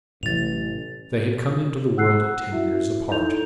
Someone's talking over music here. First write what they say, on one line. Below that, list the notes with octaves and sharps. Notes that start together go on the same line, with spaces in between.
They had come into the world ten years apart.
A1 A2 C3 F#3 A6 F7
F#5 E6 F#6 C7
E4 F#4 E5
D#4 E4 A4 A#5 G6 F7